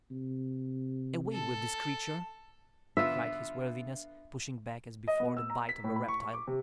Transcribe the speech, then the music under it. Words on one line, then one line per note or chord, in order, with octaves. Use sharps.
"Away with this creature!" cried his worthiness, pushing back as before the bite of a reptile.
C3
A4
D3 B3 F4 E5
D#5
B3
E6
A#5
B6
A2
B5
C#6
C#6
D6
C3